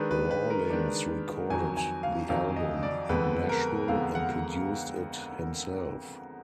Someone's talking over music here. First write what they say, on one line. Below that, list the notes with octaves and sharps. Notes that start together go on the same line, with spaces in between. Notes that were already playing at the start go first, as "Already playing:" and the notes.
Rawlings recorded the album in Nashville, and produced it himself.
Already playing: D#3 G#3 D4 B4
B4
B4
A#4
D#3 G#3 D4
F2 D#3 F#3 G#5
G#5
F5
F2 D#3 F#3 F5
D#5
D5
F2 D3 G#3 B3 B4
A#4
F2 D3 G#3 B3 F5
F#5